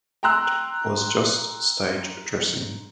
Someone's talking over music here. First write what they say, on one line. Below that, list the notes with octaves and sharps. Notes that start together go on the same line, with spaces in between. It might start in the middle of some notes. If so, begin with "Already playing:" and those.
I was just stage dressing.
G5 A#5 C6 E6 F#6